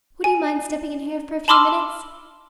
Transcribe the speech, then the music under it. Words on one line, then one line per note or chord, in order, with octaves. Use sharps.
Would you mind stepping in here for a few minutes?
G#5
A5 B5 C6 D6 E6 F6